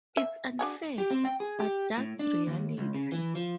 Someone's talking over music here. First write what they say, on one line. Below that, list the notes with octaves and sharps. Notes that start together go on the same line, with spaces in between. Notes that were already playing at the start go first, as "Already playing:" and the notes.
It's unfair, but that's reality.
E5
D4 F#4 G#4
G4
C4
G5
G#4
G4
A2
D4
D#2
C#2
C#3
E3
F3